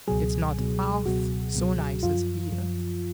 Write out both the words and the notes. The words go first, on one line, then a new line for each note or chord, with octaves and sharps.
It's not half so nice as here.
C#2 B2 F#3 G#4
C#2 B2 F#3
C#2 B2 F#3 F#4
C#2 B2 F#3
F#2 F3 F4
F#2 F3